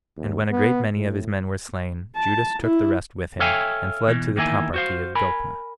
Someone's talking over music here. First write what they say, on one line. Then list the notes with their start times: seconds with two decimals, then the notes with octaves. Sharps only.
And when a great many of his men were slain, Judas took the rest with him, and fled to the toparchy of Gophna.
0.16 D#2
0.51 B3
0.96 A2
2.16 A5
2.62 E4
3.40 A4 C#5 E5 F5 G5 G#5
4.07 B2 E3
4.36 E2 D#3 A#3 E4 G#5
4.74 F#4 C5 F5
5.15 A#4 G#5 B5